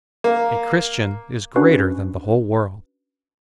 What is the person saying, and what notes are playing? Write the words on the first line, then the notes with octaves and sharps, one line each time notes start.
A Christian is greater than the whole world.
A#3
C#4 D4 F#4 B4